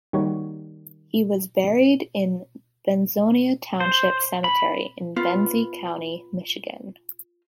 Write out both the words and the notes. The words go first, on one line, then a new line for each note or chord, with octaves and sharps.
He was buried in Benzonia Township Cemetery in Benzie County, Michigan.
D#3 G3 A#3 F#4 C#5
C5
B5
B3 F4